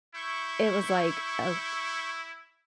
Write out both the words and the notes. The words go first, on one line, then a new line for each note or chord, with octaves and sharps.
it was like, ok
E4 C#6 G6